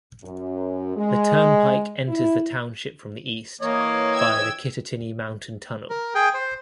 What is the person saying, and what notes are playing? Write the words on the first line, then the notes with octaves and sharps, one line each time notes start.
The turnpike enters the township from the east via the Kittatinny Mountain Tunnel.
F#2
G#3
E4
E3 A#3 C#5 D#5
G5 E6 G#6
A#4
G#4 G5
C5